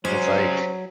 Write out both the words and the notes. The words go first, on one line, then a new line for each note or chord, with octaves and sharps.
It's, like,
F#3 G#3 C#4 C5